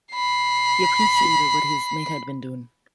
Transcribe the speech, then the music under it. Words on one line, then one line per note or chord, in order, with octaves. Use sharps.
He appreciated what his mate had been doing.
B5 C7